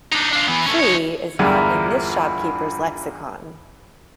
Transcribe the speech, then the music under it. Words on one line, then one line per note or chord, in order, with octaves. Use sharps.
Free, is not in this shop keepers lexicon.
D4 D#4
D4 F4
E3 B3
A3 C#4
D#4 C#5
E2 G2 D3 E4 F4 A#4